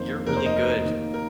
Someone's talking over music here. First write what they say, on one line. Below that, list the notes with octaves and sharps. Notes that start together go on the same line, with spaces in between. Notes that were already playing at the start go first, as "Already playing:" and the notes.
You're really good.
Already playing: F2 D#3 A#3 C5
F1 D#2 D#3 A#4
C5
D#5
A#4
D#2 D#3 A#3 D#4
A#4